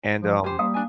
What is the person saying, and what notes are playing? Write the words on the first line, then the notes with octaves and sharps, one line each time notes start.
and, um
F3
C#4 G4 C5
G3 A#3 F5 D#6
D4 G#5